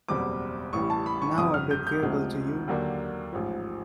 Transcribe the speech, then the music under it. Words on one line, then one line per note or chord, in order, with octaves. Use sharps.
Now I bid farewell to you.
F#1 E2 B2 G3 C4 D6
A1 A2 E3 G3 C#6
A5
B5
C#6
G1 F2 C3 D#6
F6
G6
G6
D2 C3 F3 G#3
D#2 D3 F#3 A#3 D4
A1 G#2 F3